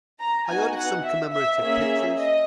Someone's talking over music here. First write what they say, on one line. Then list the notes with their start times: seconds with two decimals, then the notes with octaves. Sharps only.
I ordered some commemorative pictures.
0.20 A#5
0.48 B3 D#4 F#4 G#5
0.75 F#5
1.04 E5
1.32 E5
1.60 A#3 C#4 G#4 E5
2.16 D#5